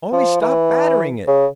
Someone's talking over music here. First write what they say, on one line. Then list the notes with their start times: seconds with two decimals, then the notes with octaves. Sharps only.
"Only stop battering it!"
0.13 F3
0.41 E3
1.28 C#3